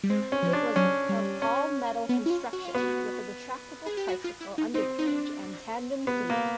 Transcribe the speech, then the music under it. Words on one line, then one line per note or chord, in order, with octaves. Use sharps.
It was of all-metal construction with a retractable tricycle undercarriage and tandem seating.
G3
G#3 C4
C#4
F3
D4
F#3 C#4
G3
C#4
B3
E4
F4
F#4
F4
B3 F#4
G#4
G4
F#4
F4
E4
D#4
C4 D#4
D#4
D4
B3
A#3